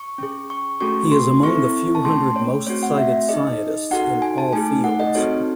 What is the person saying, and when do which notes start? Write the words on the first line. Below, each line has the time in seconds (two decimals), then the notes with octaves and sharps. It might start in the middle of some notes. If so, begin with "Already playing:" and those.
He is among the few hundred most-cited scientists in all fields.
Already playing: C#6
0.18 C#4 G#4
0.50 C#6
0.80 A3 C#4 F#4 A4 C#6
1.12 C6
1.43 C4 E4 A4 C#6
1.95 A5
2.05 A3 C#4 G#4 C6
2.36 C#5
2.67 A3 C4 F#4 C#5
2.83 F#5
2.97 E5
3.29 D#4 G#4 D#5
3.91 D#4 F#4 A4 F#5
4.22 G#5
4.38 A5
4.53 A3 D#4 G#4 G#5
4.84 F#5
5.00 D#5
5.15 C4 D#4 F#4 A4 C#5